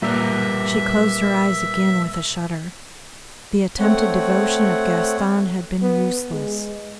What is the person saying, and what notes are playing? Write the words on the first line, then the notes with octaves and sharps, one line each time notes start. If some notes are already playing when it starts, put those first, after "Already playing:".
She closed her eyes again with a shudder. The attempted devotion of Gaston had been useless.
A#2 G3 A#4 B4 E5
A3 C4 C#5 F#5
B3
G#3